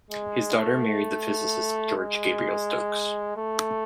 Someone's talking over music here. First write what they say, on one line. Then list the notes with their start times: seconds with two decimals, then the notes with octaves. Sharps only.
His daughter married the physicist George Gabriel Stokes.
0.10 G#3
0.58 A3
1.97 G#3
3.37 A3